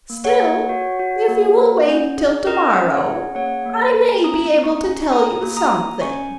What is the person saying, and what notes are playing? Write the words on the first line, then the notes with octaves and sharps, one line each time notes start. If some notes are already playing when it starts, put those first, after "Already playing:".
Still, if you will wait till to-morrow I may be able to tell you something.'
A#3
C#5 F#5
A#3
F#4
F#4
A#3
A#3
C#4
G#4
C#4 A#4 D#5
C#4
C#5 F#5
G#4
A#3 C#5 F#5
A#3
A#3
C#4 A#5 D#6
A#3
C#6
A#5 D#6
C#4
C#6
G#4 A#5 D#6
A#3
A#5 D#6
A#3
C#4 G#5 C#6